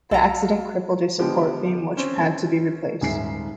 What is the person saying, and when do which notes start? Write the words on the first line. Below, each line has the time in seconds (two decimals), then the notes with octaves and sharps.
The accident crippled a support beam, which had to be replaced.
0.11 B1 F#4 A4 F5 A#5
1.19 D3 F3 G#3 B3 G4
1.97 C4 C#4
3.01 D#1 G#2 E5 G#5 C7